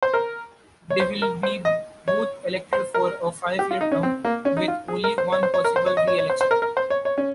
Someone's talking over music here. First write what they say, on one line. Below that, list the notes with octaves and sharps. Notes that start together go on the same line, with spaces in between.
They will be both elected for a five-year term, with only one possible reelection.
C5
A#4
C#5
C5
A#4
C5
D#5
C#5
C5
A#4
G4
F4
D#4
C#4
C4
A#3
C#4
D#4
F4
G#4
A#4
C5
C#5
C5
C#5
A#4
C5
C#5
D#5
C#5
C#5
C5
C5
A#4
A#4
C5
C#5
C#5
C#4